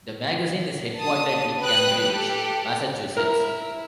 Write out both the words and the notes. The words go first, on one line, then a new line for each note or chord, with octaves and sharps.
The magazine is headquartered in Cambridge, Massachusetts.
A5 D#6
B4 G5 D#6 F#6
G4 A4
E4 A#4